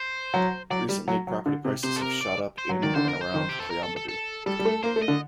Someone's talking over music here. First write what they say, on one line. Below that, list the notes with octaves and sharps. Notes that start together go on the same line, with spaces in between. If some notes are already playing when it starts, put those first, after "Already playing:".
Recently, property prices have shot up in and around Koyambedu.
Already playing: C5
F#3
F#3 D5
G3
F#3
F#3
D3
C3
C3 C5
A4
A#4
D5
C5
F#3
D#3 D5
D3 C5
A#4
C5
D#3
G4
A4
A#4
A4
A4
A4
G3 A4
G3
A3
A#3 C5
A3
D#5
D3